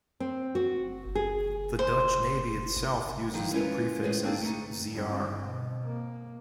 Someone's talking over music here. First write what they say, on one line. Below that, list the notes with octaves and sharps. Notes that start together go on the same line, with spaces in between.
The Dutch navy itself uses the prefixes Zr.
C4
F#4
G#4
C5
D#3 F3 G#3 D#4 E4
G#3 C#4 E4 F4 A#4 B4
A2 G#3 F4 G#4 B4 C5
A#3 C4 D4 D#4 A#4 D5
A3 D#4
G2 C4
B2
A#3